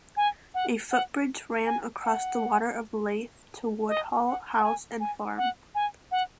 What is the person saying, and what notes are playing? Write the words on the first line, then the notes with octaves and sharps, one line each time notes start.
A footbridge ran across the Water of Leith to Woodhall House and farm.
G#5
F#5
F#5
G#5
F#5
D#5
F#5
F#5
G#5
G#5
F#5
G#5
F#5